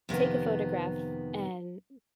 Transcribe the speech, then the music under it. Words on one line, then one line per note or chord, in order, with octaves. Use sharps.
take a photograph and m
F2 C3 D#3 B3